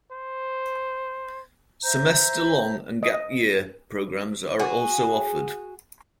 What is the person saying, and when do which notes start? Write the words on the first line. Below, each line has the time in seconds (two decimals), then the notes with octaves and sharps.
Semester long and gap-year programs are also offered.
0.12 C5
1.83 C5 E5 A#5 G6
3.03 D#5
4.59 F#4 G#4